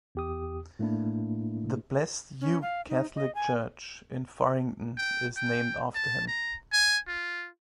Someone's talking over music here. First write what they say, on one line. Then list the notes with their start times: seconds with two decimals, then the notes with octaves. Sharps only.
The Blessed Hugh Catholic Church in Faringdon is named after him.
0.15 E2 G4 D#6
0.79 A2 A3 A#3 D4 E4
2.41 C#4
2.62 F5
2.89 D#4
3.16 D#5
3.35 G#5
4.97 G5
5.36 G5
5.94 A5
6.27 A#5
6.72 G#5
7.07 F4